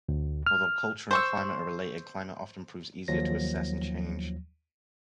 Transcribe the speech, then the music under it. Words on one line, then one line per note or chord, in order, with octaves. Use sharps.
Although culture and climate are related, climate often proves easier to assess and change.
D2
F6
C5 C#6 E6
D#2 F3 F#3 A#6